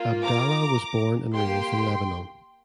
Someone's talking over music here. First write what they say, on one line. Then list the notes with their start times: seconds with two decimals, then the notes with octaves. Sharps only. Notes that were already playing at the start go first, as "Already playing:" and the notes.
Abdallah was born and raised in Lebanon.
Already playing: A#3 F4
0.23 A#5 D6
1.34 A#3 G4 G5 C6